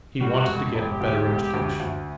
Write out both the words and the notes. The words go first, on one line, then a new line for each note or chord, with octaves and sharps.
He wanted to get a better education.
G3 F#4
E1
E1 G4
D2
E1
D2
D2